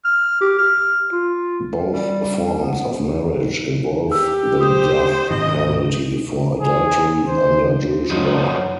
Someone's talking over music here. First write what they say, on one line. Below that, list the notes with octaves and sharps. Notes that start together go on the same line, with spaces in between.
Both forms of marriage involve the death penalty for adultery under Jewish Law.
F6
G4
F6
F4
G3
B3
G4 E6
C5 D#6
G#2 C3 D#3 D#5
G#4
C5
F#2 A#2 F3 F#3 D#4